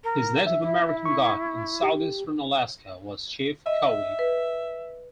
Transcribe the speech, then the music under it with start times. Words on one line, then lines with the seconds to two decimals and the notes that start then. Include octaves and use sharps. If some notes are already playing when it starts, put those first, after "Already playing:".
His Native American guide in southeastern Alaska was Chief Kowee.
0.04 A#4
0.47 E5
0.62 E4
1.05 C#6
1.82 G4
3.66 D#5 E5
4.19 B4